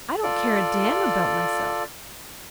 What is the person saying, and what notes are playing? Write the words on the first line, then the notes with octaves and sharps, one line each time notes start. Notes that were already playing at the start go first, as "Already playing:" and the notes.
I don't care a damn about myself.
F4 A4 D5